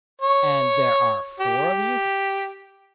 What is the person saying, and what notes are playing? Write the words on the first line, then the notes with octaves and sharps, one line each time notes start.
"And there are four of you?"
C#5
G4